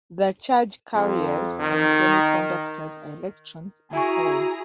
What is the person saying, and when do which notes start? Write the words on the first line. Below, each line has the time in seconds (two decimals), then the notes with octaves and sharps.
The charge carriers in semiconductors are electrons and holes.
0.95 F2
1.60 D#3
3.93 E4 F#4 G#4 E5 G#5 A#5 C#6